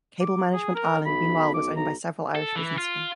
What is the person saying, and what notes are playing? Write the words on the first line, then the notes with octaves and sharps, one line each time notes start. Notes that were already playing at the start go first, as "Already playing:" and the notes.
Cable Management Ireland meanwhile was owned by several Irish businessmen.
D6
G#4
A#4
B1 B5
D6
B1 A#5
A4
E3
F4